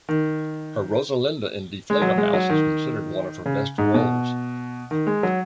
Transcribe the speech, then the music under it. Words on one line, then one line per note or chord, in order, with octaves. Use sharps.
Her Rosalinde in "Die Fledermaus" is considered one of her best roles.
D#3
G#3
F#3
G#3
F#3
D#3
C#3
G#2
B2
D#3
G#3
F#3